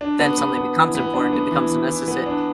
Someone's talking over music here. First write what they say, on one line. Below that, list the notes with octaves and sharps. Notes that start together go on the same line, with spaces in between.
Then something becomes important, it becomes a necessi
D4
B3
B3
B3
E3
B3
D4
B3
E3
E3
E3
B3
D4